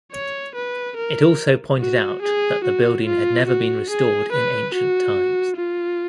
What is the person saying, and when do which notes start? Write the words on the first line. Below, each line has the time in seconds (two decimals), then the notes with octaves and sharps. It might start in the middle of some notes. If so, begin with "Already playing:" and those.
It also pointed out that the building had never been restored in ancient times.
0.12 C#5
0.55 B4
0.96 A#4
1.79 F#4
2.22 G#4
2.64 F#4
3.05 F4
3.48 F#4
3.90 G#4
4.32 B4
4.74 F#4
5.56 F4